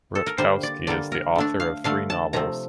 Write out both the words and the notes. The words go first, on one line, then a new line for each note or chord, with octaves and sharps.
Rutkowski is the author of three novels.
A4
A#4
D3 G3 A#3 C5
D5
D3 G3 A#3 D5
A#4
D3 A3 D4
F5
D3 A3 D4 F5
A5
C3 F3 A3 A#5